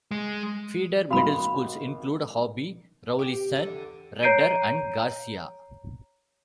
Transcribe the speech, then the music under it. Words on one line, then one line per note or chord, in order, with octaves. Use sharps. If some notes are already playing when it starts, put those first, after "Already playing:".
Feeder middle schools include: Hobby, Rawlinson, Rudder, and Garcia.
G#3
G#1 F#4 F5 B5
G4
E2 D3
C#5 A#5 G6 C7 D7 D#7